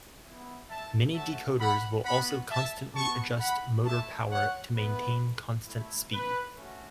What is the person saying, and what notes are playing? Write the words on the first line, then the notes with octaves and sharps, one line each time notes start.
Many decoders will also constantly adjust motor power to maintain constant speed.
B3 E4
E5 A5
A3 C#4 F#4 E5 A5
F#5 B5
B3 F#4 F#5 B5
E5 A5
B3 F#4 A5 C#6
F#5 B5
A3 E4 E5 A5
C#5 F#5
B3 E4 B4
A3 E4
B4
A3 C#4 F#4